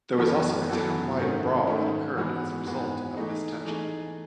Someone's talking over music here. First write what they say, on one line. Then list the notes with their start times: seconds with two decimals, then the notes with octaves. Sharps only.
There was also a town-wide brawl that occurred as a result of this tension.
0.18 F#2 E3 B3 F#4 A4
0.68 F#2 E3 B3 F#4 A4
1.18 G#2 D#3 A3 C#4
1.67 G#2 D#3 A3 C#4
2.16 G#2 E3 G#3 B3 F#4
2.67 G#2 E3 G#3 B3 F#4
3.16 E3 A3 D#4 G#4
3.65 E3 A3 D#4 G#4